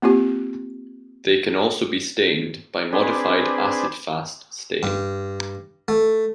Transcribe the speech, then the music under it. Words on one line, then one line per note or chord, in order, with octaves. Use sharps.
They can also be stained by modified acid-fast stain.
A#3 C4 F4 G4
C4 D4 G#4 B4
G2
A3